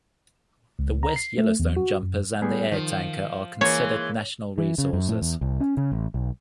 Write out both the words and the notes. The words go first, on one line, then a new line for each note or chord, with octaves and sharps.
The West Yellowstone jumpers and the air tanker are considered national resources.
C#2
A#5
C7
A3
E2
F#4
F#2
G3 B3 G#4
D#3 F3
E3 G#3 A#3 C#5
E3
C#3
F#2
A2
E2
C2
C#4
C#3
A1
B1